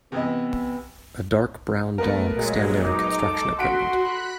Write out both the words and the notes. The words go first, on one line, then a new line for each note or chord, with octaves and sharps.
A dark brown dog standing on construction equipment.
C3 E3 B3 D#5
A3 B3 A#4
A#2 F#3 G#3
D#4 D6
A4
F#4 F#5 C6 B6 D7
B5 F#6